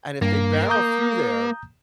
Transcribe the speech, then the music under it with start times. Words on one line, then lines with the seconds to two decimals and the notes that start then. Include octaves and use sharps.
and if they barrel through there,
0.22 G2 A#3
0.70 A#5 D#6 G6